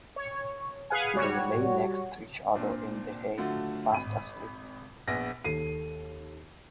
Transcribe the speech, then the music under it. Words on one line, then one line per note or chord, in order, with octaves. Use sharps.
They lay next to each other in the hay, fast asleep.
C#5
G#4 B4 F5 F#5 G#5
G3 F#4 C#5
A#2 C4 D4
D3 F#3 A3 F4 F#4
G#1 B5 D#7
A#1 B3 G#5 A#6
D#2 A4 C7 D#7